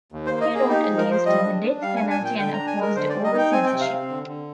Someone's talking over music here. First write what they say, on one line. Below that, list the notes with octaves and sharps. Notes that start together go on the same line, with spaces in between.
He wrote against the death penalty and opposed all censorship.
D#2
C5
A#3
D#5
A#3
G#4
D#4 G4
F3 G#4
A#4
F3 C5
G3 D#5
D4
D4
G3 F5
G#5
D4
G#5
A#2
G5
D3 G5
A#5
D4
G#5
G#3 A#4
D3 C5
G3 D5
D#5
D#4 G5
C4 G#5
G5
C3
F5
C4
D3
D3